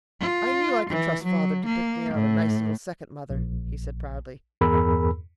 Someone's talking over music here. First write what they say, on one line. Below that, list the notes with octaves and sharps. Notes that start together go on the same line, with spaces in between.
"I knew I could trust father to pick me out a nice little second mother," he said proudly.
F4
E3
F#3
A#3
A2
A#1
E2 G2 G#4 A#4 B5 E6